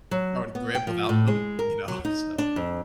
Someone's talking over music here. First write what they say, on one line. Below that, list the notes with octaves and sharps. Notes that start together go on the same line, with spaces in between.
darn grim without them, you know? So
F#3
B3
G5
F3
A2
G#3
A#4
F#3
D#4
D4
F2